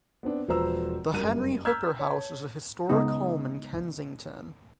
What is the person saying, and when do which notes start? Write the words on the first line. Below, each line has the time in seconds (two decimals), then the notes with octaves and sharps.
The Henry Hooker House is a historic home in Kensington.
0.23 B3 C4 D4
0.48 E1 F3 B4 C5 A#5 E6
1.13 F#1 G2 A#4 D#7
1.65 A#5 E6 F6 G6 G#6 B6
1.99 C#5 A5
2.89 C#3 G#3 B3 D#4